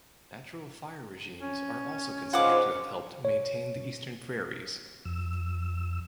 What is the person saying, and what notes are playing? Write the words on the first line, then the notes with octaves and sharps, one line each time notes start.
Natural fire regimes are also considered to have helped maintain the eastern prairies.
C#4
G#2 C#3 F4 C5 F#5 D6
C#5
F2 E6